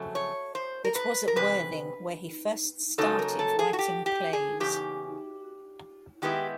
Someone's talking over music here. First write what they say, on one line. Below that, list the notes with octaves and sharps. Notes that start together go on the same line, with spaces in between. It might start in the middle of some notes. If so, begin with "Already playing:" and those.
It was at Worthing where he first started writing plays.
Already playing: F2 C#3 F#3 A3
C#5
C5
A#4
B4
A#4
E2 C3 B4
F#2 C#3 F#3 A#3 D#4 A4
A#4
A4
G#4
F#4
G4
G4
G#4
E2 C#3 G4
D#3 G#3 B3 E4 G4